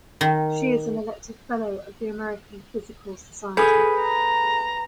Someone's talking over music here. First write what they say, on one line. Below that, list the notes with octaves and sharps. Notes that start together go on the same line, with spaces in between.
She is an elected fellow of the American Physical Society.
D#3
G#4 A4 B4 G#5 D#6 G6
A#5